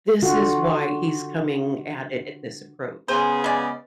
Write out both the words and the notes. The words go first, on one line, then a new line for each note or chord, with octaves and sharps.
this is why he's coming at it at this approach."
D3 F4 F#4
C#3 B3 G#4 C5
G#3 D5